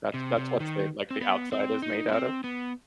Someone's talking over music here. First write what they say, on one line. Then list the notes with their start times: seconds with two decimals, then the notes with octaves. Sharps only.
That's that's what's they like, the outside is made out of?
0.14 C3
0.36 C3
0.60 D#3
1.11 C4
1.21 B3
1.52 C4
1.82 D#4
2.08 B3
2.13 C4
2.44 B3